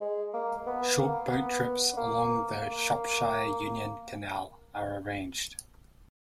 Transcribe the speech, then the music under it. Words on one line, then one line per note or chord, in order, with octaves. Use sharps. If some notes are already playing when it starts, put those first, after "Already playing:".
Short boat trips along the Shropshire Union Canal are arranged.
G#3
A#3
B3
A#3
B3
A#3
A#3